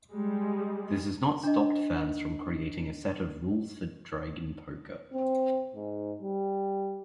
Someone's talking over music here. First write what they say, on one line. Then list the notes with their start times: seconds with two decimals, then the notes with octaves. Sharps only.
This has not stopped fans from creating a set of "Rules For Dragon Poker".
0.13 G3 G#3
1.43 D4 D#5
5.12 C4
5.74 G#2
6.22 G3